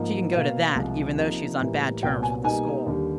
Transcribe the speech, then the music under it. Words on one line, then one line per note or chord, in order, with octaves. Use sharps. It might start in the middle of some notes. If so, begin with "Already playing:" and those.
"She can go to that, even though she is on bad terms with the school."
Already playing: G#2 F3 A#3 D#4
B2 F#3 A#3 F5
C2 C3 F3 G#3 C4
C3 F3 A#3 D#4
A2 E3 G3 A#3
C2 A#2 F#3 B3 G5
G#5
B2 G3 A#3 D#4 G#5
D#2 D3 G3